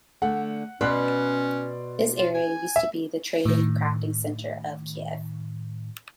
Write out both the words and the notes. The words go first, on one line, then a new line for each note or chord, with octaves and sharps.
This area used to be the trading and crafting center of Kiev.
D3 A3 F#5
B2 C#4 B4 D5 C6 F#6
F4
G#5
E5
A2 D#3